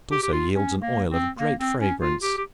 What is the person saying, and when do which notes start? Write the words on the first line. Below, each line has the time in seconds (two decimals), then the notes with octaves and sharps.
It also yields an oil of great fragrance.
0.11 G4
0.23 G4
0.32 F4
0.54 C#4
0.82 A#3
1.10 C4
1.38 A#3
1.59 C4
1.79 C#4
2.00 F4
2.22 G4
2.37 G4